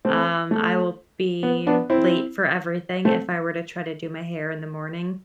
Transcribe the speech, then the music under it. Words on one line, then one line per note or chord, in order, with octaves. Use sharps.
um, I will be late for everything if I were to try to do my hair in the morning.
A3 C4
A3
B3
B3 D4
C4 E4
A3 C4